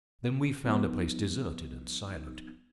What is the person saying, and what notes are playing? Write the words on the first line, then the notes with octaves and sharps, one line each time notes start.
Then we found a place deserted and silent.
F3 G3 B3 D#4